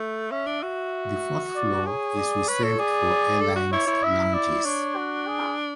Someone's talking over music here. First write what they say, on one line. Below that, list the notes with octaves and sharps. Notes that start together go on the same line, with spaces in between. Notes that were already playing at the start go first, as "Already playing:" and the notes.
The fourth floor is reserved for airlines' lounges.
Already playing: A3
C#4 E5
D4
F#4 E5
D5
G#4 C#5
D5
B4 C#5
A4
G#4 D5
A4
F#4
E4 C#5
E4
E5
D5
D4 C#5
F#4
G#4